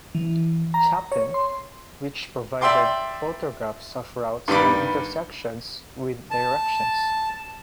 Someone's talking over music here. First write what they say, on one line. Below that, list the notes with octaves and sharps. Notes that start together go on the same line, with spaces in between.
Chapin, which provided photographs of routes and intersections with directions.
E3
A#5
C#5
C6
D5 E5 G5 C6 D6
G2 D#3 G3 B3 B5 D6
A5